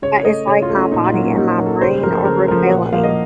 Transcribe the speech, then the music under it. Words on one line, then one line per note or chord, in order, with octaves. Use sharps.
but it's like my body and my brain are rebelling
C#3 C#5
A3 D#5
C#3 C#5
F4
A3
C#4
A#2 D#4
F4
F#3 A#3
C#4
A#2 D#4
F#3 A#3
A4
C#3 C5
F3 A3 A#4
A4
C#3 A#4
F3 A3 A#4
A#2 F#5
F3 A#3 F5
D#5